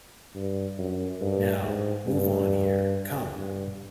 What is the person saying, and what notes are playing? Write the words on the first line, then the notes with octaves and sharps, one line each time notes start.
Now move on here - come!
G2
F#2
G2
G#2
G2
G2